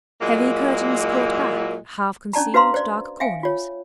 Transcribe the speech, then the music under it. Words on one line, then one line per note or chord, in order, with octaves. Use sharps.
Heavy curtains caught back, half concealed dark corners.
A#2 F#3 G#3 A#3 E4
C#4 D4 D5 A5 A#5
F#4 B4 C5 F5 A#5 C6
C5 D5
E5 F5 G5 G#5
F4 C#5